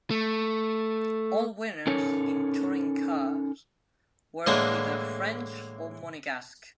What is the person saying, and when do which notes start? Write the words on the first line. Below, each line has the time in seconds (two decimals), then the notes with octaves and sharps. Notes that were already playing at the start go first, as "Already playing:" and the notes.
All winners, in touring cars, were either French or Monegasque.
0.11 A3
1.87 C#4 D#4 A4 A#4 C#5
4.47 A2 D3 E3 G#3 A#3 D4